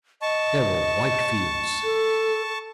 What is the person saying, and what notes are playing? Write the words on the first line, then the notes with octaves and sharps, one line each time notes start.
There were white fields.
D#5 A5 C#6
A4